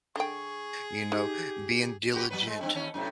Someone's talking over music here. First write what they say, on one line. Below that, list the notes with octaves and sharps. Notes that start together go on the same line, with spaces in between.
you know, being diligent.
D3 G#4 G5 C#6
D#4 G4
F#4 G4 B4
F#3 B3 B4
G#3
G2 D3 C4
D#2 C#4
F#2 A2 C3